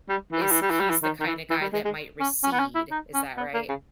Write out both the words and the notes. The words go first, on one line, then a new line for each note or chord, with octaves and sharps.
is he's the kind of guy that might recede, is that right?
G3
E3
G3
E3
G3
E3
G3
E3
D#3
D#3
E3
E3
G3
G#3
G#3
C#4
C#4
B3
C#4
E4
D#4
C#4
B3
A#3
C#3